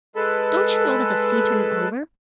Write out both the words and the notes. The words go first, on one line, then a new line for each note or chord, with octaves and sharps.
"Don't you know that the sea turned it over?"
G#3 A4 B4